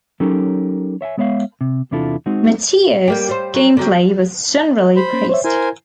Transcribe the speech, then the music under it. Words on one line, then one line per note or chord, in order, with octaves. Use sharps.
"Meteos" gameplay was generally praised.
F#3 C#4 D#4 G4 A4 A#4
C#5 E5 F#5 G#5
G#3 B3 C#5 E5 F5
C3
E2 C3 D4 E4 F4 A4
G#3 C4 D#4 F#4
G3 A#3 G4
G3 C5
F#3
D3 F#3 G3
C5 B5
A#3 C#4
C5 C#5 E5
E4 A#4 C5 G#5